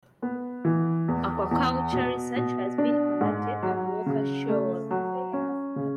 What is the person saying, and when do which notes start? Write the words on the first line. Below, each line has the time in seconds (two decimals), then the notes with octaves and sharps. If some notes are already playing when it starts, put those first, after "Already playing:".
Aquaculture research has been conducted on Walker Shoal.
0.22 B3
0.65 E3
1.08 E2
1.51 E2
1.93 B2
2.36 B2
2.78 D4
3.21 G#2
3.63 F#3
4.06 C#3
4.48 A3
4.91 F#3
5.33 C#4
5.76 C#3